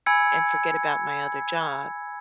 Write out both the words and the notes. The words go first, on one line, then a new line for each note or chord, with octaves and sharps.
and forget about my other job,
G#5 B5 E6 G#6 C#7